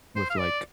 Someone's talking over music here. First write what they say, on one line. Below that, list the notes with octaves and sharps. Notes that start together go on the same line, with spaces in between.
with, like,
C5
F5
D5